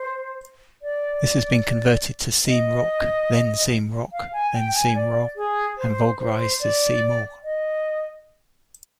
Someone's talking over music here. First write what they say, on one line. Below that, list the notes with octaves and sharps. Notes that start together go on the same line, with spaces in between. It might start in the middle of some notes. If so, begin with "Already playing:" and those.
This has been converted to saeem-rokh, then seem-rokh, seem-rogh and vulgarised as see-morgh.
Already playing: C5
D5
D#5
F5
G#5
G5
G#5
D5
G#4
C5
C5
D5
D#5